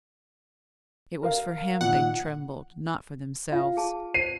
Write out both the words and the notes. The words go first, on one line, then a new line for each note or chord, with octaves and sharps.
It was for him they trembled, not for themselves.
A#4 F5
A#2 D#3 F#5
F4 F5
G#4 A5
C5 C7 D#7